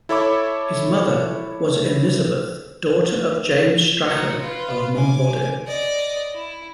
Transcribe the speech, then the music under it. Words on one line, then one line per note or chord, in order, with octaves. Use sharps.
His mother was Elizabeth, daughter of James Strachan of Monboddo.
E4 A4 C#5 E5 B5 D6
D#4 F#4
F4 B4
G#5 D6
D5 D#5
E4